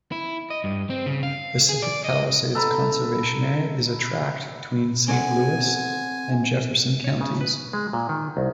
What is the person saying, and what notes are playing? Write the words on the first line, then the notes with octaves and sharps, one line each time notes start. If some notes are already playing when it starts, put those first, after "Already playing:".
Pacific Palisades Conservation Area is a tract between Saint Louis and Jefferson counties.
E4
D#5
G2
C4
C#3
F5
G#4
D5
D#5
A4 B4 A#5
C4 A4 F#5 G#5
C#5
C#3
B4
G#3
A#2
D#3
C2